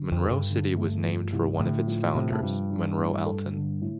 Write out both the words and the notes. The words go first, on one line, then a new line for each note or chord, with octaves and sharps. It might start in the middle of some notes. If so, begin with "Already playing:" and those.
Monroe City was named for one of its founders, Monroe Alton.
Already playing: D3
F2
A4
G2
D3
A3
F3
C2
A2 D3
F3
A2 C3
A2
G2 F3
D4
A2
A4
D3
A2